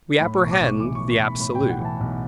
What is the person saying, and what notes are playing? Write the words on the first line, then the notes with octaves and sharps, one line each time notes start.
We apprehend the absolute.
A2 B5
C#6
B1
D6
B1 C#6
E3 D6
C#6
E3
C#6
B1 B5
A2 B5
G5
B1
F#5
E3 A5
B1